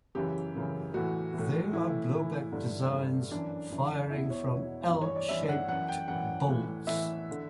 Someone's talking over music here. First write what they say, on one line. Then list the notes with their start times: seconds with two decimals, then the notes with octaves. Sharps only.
They are blowback designs firing from "L"-shaped bolts.
0.15 F#2 C#3 E3 G4
0.55 F#2 C#3 E3
0.94 A2 E3 F#4
1.33 A2 E3
1.73 A2 E3 E4
2.13 A2 E3
2.52 G2 D3
2.92 G2 D3
3.31 F#2 E3 D4
3.70 F#2 E3
4.10 E2 B2 E4
4.30 C#5
4.50 E2 B2
4.89 G2 E3
5.01 C#5
5.15 D5
5.29 G2 E3 E5
5.43 E5
5.49 F#5
5.68 F#2 E3 F#5
5.88 G5
6.08 F#2 E3 F#5
6.48 A2 E3
6.87 A2 E3 E5
7.31 D3